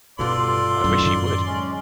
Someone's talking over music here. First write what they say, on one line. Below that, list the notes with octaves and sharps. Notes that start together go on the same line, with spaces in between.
I wish he would!
G2 B2 F4 A4 D5 C6
F#2 A2 D#3
G#3 C#4